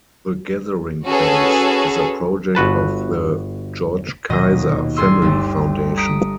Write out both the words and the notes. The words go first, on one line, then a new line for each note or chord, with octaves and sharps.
The Gathering Place is a project of the George Kaiser Family Foundation.
C#4 F#4 G#4 A4 B4 C#5
G1 F#4 B4 A5
D#1 D#2 B2 D#5 A#6
D#1 D4 G#4 C6 E6
G1 D2 G3
A#5 D#6 B6 C#7 D7